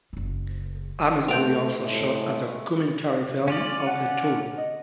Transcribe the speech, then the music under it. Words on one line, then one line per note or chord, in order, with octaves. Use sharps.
Amesbury also shot a documentary film of the tour.
F#1 C#3
A3 B3 C4 G6 D7 F7
A2 G#3 A3
C#4 F4 D5
F#5
D#5